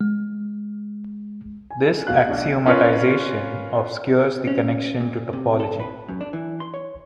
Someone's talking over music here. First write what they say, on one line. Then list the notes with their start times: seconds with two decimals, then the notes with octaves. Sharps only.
This axiomatization obscures the connection to topology.
0.01 G#3
1.71 G#5
2.07 F1 B2 F5 F#6
2.29 B1 D4
2.66 C#4 F4 A#4 B4 C#5
4.47 C#4
5.00 A#2
5.33 C3
5.60 A4
5.80 B4
6.08 F#2
6.21 D4
6.33 E3
6.60 C6
6.74 C#5